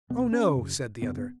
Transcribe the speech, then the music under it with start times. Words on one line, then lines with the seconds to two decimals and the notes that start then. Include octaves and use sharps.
"Oh no," said the other.
0.10 C#2 B2 B3
0.32 C#4
0.55 F#2 C#3
1.02 F#2 C#3 B3
1.17 B3